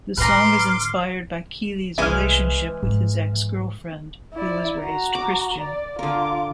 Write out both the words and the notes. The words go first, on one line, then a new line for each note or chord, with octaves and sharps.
The song is inspired by Keelys relationship with his ex-girlfriend who was raised Christian.
A2 D3 B4 A#5 C6 D6 F6
C2 E3 G#3 E5 G#5 F6
G#2 F3 C4
E4 D5
F#4 A#5
D6
D5
D3 F4 A#4 D6